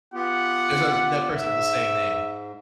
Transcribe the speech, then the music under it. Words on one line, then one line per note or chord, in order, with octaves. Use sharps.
There's another person with the same name.
B3 F4 G4 F#5
G#2 E5